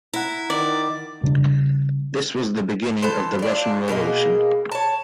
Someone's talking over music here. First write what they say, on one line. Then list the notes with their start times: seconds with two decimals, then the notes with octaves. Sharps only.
This was the beginning of the Russian Revolution.
0.13 E4 F#5 A#5
0.50 D#3 D5
1.23 C#3 G3 C#4 D4
3.03 E3 A4 C5
3.39 D4 F4
3.88 B2 A#3 G#4 D#5
4.72 C#5 A5